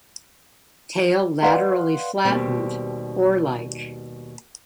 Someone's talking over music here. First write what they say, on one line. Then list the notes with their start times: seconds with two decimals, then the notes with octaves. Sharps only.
Tail laterally flattened, oar-like.
1.42 B4 D5 D#5 F5 F#5 C6
2.25 D#2 B2 G3 C4 G4